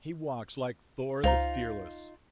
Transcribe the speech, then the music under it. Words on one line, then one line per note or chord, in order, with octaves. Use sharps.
"He walks like Thor the Fearless."
C#2 D#4 F4 C5 A#5